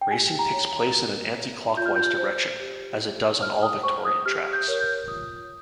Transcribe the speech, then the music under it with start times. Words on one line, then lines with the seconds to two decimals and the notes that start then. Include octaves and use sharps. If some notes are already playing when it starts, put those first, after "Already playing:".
Racing takes place in an anti-clockwise direction, as it does on all Victorian tracks.
0.01 G5
0.11 G4 G#5
0.39 A#5
0.53 C#5
0.67 A#5
0.94 G4
1.35 C#5
1.77 F4 G6
1.86 F6
1.96 G6
2.18 C5
2.60 G4
3.02 C5
3.42 G4 F6
3.63 D#6
3.83 C5 C#6
4.05 D#6
4.26 G4 F6
4.53 G6
4.67 A#4 C#5
4.80 G6
5.08 F4 D#6